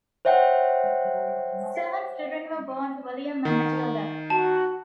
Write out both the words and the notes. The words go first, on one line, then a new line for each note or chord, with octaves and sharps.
Seven children were born to William and Matilda.
C5 C#5 E5 F#5 G5
D#3
F#4 A5